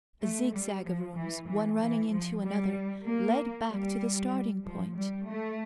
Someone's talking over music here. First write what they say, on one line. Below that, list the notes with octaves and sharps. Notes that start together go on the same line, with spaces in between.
A zigzag of rooms, one running into another, led back to the starting-point.
A3
G3
F3
E3
E3
E3
F3
G3
A#3
G3
F3
G3
A3